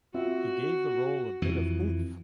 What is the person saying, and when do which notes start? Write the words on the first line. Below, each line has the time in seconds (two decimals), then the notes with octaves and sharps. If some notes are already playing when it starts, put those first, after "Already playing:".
He gave the role a bit of oomph.
0.14 C4 F4 F#4 E5
1.42 F2 E3